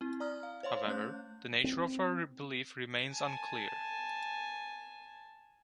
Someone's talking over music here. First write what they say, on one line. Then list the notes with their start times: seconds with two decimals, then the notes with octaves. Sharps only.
However, the nature of her belief remains unclear.
0.01 C4 E4
0.20 D5 A#5 D#6 F6
0.43 F5
0.63 C5 C#5 F5 C6
0.87 A3 C#4 F#6 G6
1.64 C4
3.13 G#5 A5